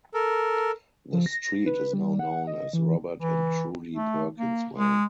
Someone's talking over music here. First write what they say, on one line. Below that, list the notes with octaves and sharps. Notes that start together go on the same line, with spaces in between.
The street is now known as Robert and Trudie Perkins Way.
A4 A#4
F3
A#6
B4
G3
F#5
F#5
D#5
E3
E3
A3
A#3
G#3